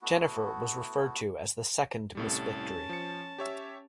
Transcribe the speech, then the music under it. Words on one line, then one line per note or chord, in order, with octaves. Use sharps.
Jennifer was referred to as the second Miss Victory.
A3 B3 E4 F#4
C2 A2 G3 C#4 A5
F3 C#7
G4 C#5 E5